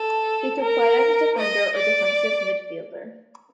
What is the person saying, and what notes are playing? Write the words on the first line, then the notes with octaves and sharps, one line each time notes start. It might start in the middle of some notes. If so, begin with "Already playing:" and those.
He could play as a defender or defensive midfielder.
Already playing: A4
A#4
D#5
D5